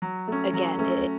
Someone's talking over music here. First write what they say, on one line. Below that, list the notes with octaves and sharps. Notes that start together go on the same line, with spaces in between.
again i i
F#3
A3 C#4
F#3
A3 C#4